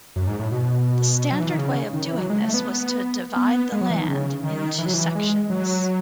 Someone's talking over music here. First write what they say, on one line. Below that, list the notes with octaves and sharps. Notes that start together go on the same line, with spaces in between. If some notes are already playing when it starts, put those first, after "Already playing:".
The standard way of doing this was to divide the land into sections.
F#2
G#2
A2
B2
F#3
E3
D#3
C#3
D#3
E3
F#3
G#3
A3
B3
B3
B3
G#3
F#3
E3
D#3
C#3
D#3
E3
F#3
E3
G#3
F#3